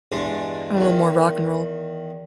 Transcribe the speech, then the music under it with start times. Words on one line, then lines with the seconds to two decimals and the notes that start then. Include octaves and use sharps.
I'm a little more rock and roll.
0.12 E2 G2 G#3 D4
0.77 E2 D#3